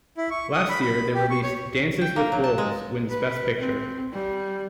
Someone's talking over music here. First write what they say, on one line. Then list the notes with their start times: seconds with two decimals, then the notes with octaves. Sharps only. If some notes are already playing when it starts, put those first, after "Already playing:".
Last year, they released "Dances with Wolves" wins Best Picture.
0.17 E4
0.31 C#6
0.53 D#6
0.69 B5
0.81 B5
1.14 G4
1.30 C#6
1.43 C#5
2.01 G5
2.16 A#3
2.32 F#3
2.44 A5
2.58 G#3
3.10 B4
3.59 C4
4.13 G3